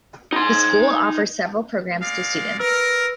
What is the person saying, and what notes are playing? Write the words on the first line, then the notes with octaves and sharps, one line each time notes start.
The school offers several programs to students.
D#4 C6
G#3 D5 F5
A#4 B4 E6 F6